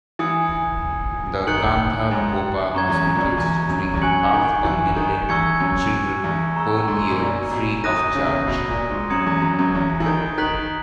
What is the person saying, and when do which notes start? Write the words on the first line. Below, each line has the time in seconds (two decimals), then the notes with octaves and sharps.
The Kantha Bopha hospitals treat half a million children per year free of charge.
0.19 E3 G#5 D#6 G#6 C#7
1.47 D#3 F#6 C#7 F#7
2.11 G#2
2.75 F#2 A#5 C#6 G#6
2.90 E2
3.06 F#2
3.15 A#2
3.22 B2
3.38 E2
3.70 F#2
3.94 E2
4.01 F#2 G#5 C#6 F#6 C#7 F#7
4.34 D#3
4.65 E3
4.96 D#3
5.29 E2 C#6 E6 G#6 C#7
5.60 F#2
6.24 E2
6.56 A#5 C#6 E6
6.88 G#2
7.10 B2
7.20 A#2
7.51 B2
7.84 D#3 D#6 F#6 A#6 D#7
8.15 C#3
8.47 B2
8.69 A#2
8.90 G#2
9.10 F#2 A#5 D#6 G#6 C#7 F#7
9.26 E2
9.42 F#2
9.59 F#2
9.75 E2
10.00 E3
10.06 D#3
10.38 D#3 F#6 B6 F#7